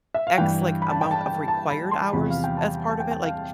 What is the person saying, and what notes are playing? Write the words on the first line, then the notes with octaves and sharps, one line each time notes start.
X, like, amount of required hours as part of it? Like,
E5
F5
G2 E3 G5
B5
A5
G5
A5
G5
A5
B5
C6
E2 C3 F3 B5
F5
G5
A5
A5
G5
G5
F5